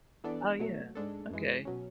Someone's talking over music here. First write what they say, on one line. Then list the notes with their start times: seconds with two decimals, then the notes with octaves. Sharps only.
Uh, yeah, okay.
0.24 E3 B3 D4 A4 D5
0.59 B2 F#3 A3
0.95 G#2 G#3 D4 A4
1.31 F#2 E3 G#3
1.65 B2 F#3 C#4